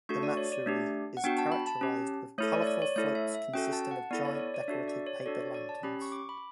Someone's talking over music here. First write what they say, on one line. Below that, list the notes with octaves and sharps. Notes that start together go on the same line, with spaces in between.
The matsuri is characterized with colourful floats consisting of giant, decorative paper lanterns.
A3 D4 F#4 A4 C#6
D5
C#5
D5
A3 D4 G4
F#5
B3 D4 F#4 G5
A5
B5
A5
C#4 G4
A3 E4 A4 C#5
D5
C#5
D5
C#5
A3 E4 A4 C#5
E5
E5
C#4 F#4 A4 G5
A5
F#5
B3 E4 A4 D5
C#5
D5
C#5
D5
D4 F#4 A4 E5
D5
C#5
D4 F#4 A4 D5
C#5
D5
A5
C#4 G4 B5
C#6
D6
B5